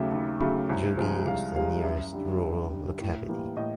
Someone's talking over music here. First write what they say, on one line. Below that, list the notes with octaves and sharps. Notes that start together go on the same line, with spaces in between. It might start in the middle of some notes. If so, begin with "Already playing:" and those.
Yugi is the nearest rural locality.
Already playing: D#2 C#3 F#3 A3 E5
D#2
C#3 F#3 A3
C2
C3 F3 G#3
C2 F5
C3 F3 G#3 F5
F#2 E5
D3 G3
F#2
D3 G3
A2
E3 G3 A#3
A2 D#5